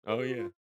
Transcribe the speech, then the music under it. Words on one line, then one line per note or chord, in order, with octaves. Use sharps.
Oh, yeah.
A#4
G#4
F#4
F4